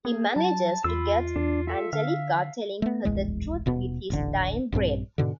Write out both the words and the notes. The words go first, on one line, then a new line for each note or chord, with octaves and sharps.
He manages to get to Angelica, telling her the truth with his dying breath.
A#3 G#4
F#3 A5
E2 F4 B5 E6
E2 D4
F4 A4 E5
D3 F5 F6
A3 B3
D1 A#1 E2 G#3
D#1 B2 B3
D#1 A1 D3
A#1 G2 E3 C4
G#2 B2 D3